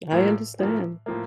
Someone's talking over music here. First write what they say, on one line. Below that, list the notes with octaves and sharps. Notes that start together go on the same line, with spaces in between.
I understand.
A2 F3 A#3
A2 F3 A#3
A2 F3 A#3